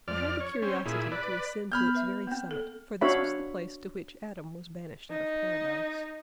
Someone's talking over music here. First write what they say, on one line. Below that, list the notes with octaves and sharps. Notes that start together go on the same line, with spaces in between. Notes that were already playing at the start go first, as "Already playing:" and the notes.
I had the curiosity to ascend to its very summit, for this was the place to which Adam was banished out of Paradise.
F2 D5 F6
C#5
C4 C#4
A#2 E4 G#4
B4 D5
B3 B5 F6 G6
B4 E5
A#3 C4
A4
D4 F#4 C#5 E5 F5 B5
D#4